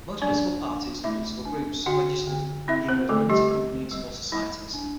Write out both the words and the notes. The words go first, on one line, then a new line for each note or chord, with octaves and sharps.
Most political parties and political groups registered either as limited companies or societies.
F#3 D4 D5
D4
A3 E4 E5
D4
D3 F#4 F#5
D3
C4 E4 E5
C4 C5
D3 A3 A4
G3 G4
G3
G3
G3 E4
D4